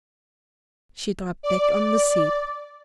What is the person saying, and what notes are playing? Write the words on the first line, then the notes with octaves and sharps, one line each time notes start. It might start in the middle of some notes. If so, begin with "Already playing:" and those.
She dropped back on the seat.
D5